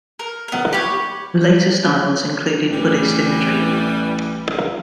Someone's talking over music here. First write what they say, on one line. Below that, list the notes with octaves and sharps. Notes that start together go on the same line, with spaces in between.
Later styles included Buddhist imagery.
A#4
B3 A#4
G4 B4 C#5
A1 E3 G3